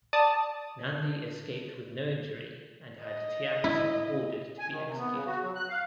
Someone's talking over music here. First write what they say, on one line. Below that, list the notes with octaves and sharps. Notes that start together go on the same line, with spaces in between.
Nandi escaped with no injury and had Tian Song ordered to be executed.
D5 A5 D#6
D#5
E4
G#5
D#3
C3
B3
C#3
F#4
F#3
F#6
F5